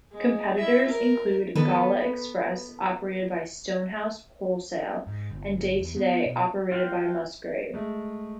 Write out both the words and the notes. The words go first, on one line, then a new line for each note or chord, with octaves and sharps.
Competitors include Gala Express operated by Stonehouse Wholesale, and Daytoday operated by Musgrave.
G#3
E4 E5
A#4
D#3 B3 A4 B4
G#2
G1
E2
B3
B2
F4 F#4 C5 F5 G5
G#3 A3